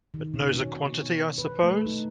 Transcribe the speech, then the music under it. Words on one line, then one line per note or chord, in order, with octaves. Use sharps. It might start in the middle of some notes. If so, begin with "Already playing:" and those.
But knows a quantity, I suppose?
D#3
B2
C#4
B4
A3
D#4